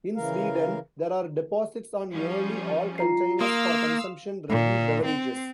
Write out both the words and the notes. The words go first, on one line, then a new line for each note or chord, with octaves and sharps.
In Sweden, there are deposits on nearly all containers for consumption-ready beverages.
C#3 E3 A#4 F5
F3 G3 C#4
F4 A#5 C7
A#3 F5 C6 D#6 E6
A#2
C4